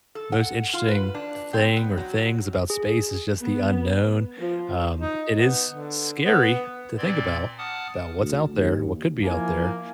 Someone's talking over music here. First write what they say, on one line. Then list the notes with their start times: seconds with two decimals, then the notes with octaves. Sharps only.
most interesting thing or things about space is just the unknown. Um, it is scary to think about about what's out there, what could be out there,
0.15 A4
0.32 F#5
0.73 F4
0.88 B4
1.14 D4
1.53 C4
1.76 B3
1.97 F#3
2.70 G#4
3.42 B3
4.38 F3
5.00 D#4
5.37 B3
5.70 D3
6.24 B3
6.98 A#2 C4 D5 C6 G#6
7.58 F#5 A5 D6 D#6 F6
8.19 D2
8.54 D#2
9.23 F3 A#3 E4 G#5